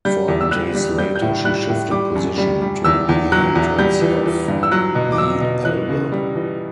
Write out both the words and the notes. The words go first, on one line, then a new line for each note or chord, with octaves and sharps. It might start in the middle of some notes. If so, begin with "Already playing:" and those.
Four days later she shifted position to the entrance of the Elbe.
G3 G6
E2
E6
G3 F#6
G3
G3 G6
G6
A2
G3 F#6
A2
G3 D6
F#2
G3
G3
E2 E6
E2
F#3 F#6
E2
G3 G6
E3
E3
G2
E6
F#3 F#6
B2
D6
F#3 E6
B2
E3 F#6
C#3
G3
E3